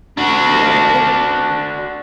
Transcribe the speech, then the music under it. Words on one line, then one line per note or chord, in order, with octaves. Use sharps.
yeah, they
D4 F#4